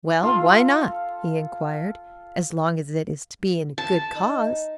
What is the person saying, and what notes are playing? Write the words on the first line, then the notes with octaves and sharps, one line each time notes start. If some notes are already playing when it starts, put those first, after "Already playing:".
"Well, why not?" he enquired, "as long as it is to be in a good cause."
F4 A4 F5
A5
D#4 D#5